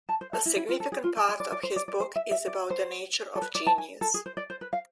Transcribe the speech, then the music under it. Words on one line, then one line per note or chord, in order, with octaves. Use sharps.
A significant part of his book is about the nature of genius.
A5
C5
A4
E4
E4
F4
A4
G#4
F4
D5
D5
D5
D5
C5
D5
D5
C5
E5
E5
D5
C5
A4
B4
D5
A5
G#5
A4
G#4
C5
D5
C5
B4
F5